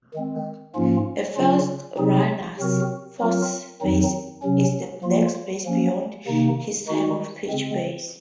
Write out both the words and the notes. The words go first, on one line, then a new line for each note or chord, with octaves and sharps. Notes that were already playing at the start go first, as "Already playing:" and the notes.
A forced runner's force base is the next base beyond his time-of-pitch base.
D#3 G#3 C4
G#2 F3 A#3 C#4 F4
C#3 F#3 C#4 F4
C3 F#3 C4 D#4 G#4
C3 F#3 C4 F#4 A#4
F#3 C4 F4 A#4
F2 D#3 F#3 C4 D#4
C3 F#3 C#4
F3 A#3 F4
F3 A#3 C#4
C3 D#3 A#3 D#4
D#3 G#3 D#4 F#4
C#3 G#3 C4